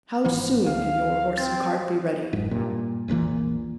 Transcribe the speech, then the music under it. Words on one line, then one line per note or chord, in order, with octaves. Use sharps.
"How soon can your horse and cart be ready?"
G#1 E3 F3 B3
D2 F5
C4 A6
F#1 G#2
G2 A#2
E1 A#1 A#2 E3